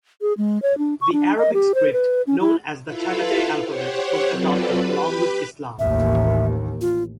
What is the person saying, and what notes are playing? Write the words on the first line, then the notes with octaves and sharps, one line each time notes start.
The Arabic script, known as the Chagatay alphabet, was adopted along with Islam.
G#4
G#3
C#5
D4
C#6
D4
D#5
G4
C5
B4
C#4
E4
E4 F4 A4 B4 F5
G4 C5 C#5 F#5
F#3 C4 F4 A4 B4 D5
G4 B4 B5
A1 D#2 E5
F4